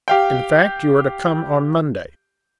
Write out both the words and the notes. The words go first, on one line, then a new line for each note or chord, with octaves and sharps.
In fact, you are to come on Monday.
G4 F5 G5